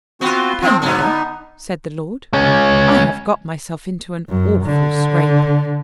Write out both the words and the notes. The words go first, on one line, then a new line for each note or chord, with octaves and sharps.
"Penwether," said the Lord, "I have got myself into an awful scrape."
B3 C4 F4 F#4
F3 C4
G#2 D3 F#3 B3
D#4
G#3 C#4
F#2
D3